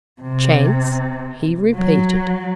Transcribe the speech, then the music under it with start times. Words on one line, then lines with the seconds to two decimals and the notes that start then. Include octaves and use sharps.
"Chance?" he repeated.
0.22 C3
1.75 F#3